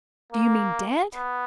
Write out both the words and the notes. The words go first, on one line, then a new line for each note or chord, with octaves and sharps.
Do you mean dead?
A#3
B3